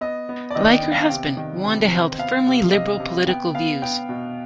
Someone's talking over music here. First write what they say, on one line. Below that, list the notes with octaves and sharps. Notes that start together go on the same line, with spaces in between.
Like her husband, Wanda held firmly liberal political views.
B3 D#5
B3
D5
D#3 D#5
G5
B3
F5
C3 G5
D#3
C3
C4
B3 F5
C3
C3 D#5
C3
B3 G5
B3 F5
B3 G5
B2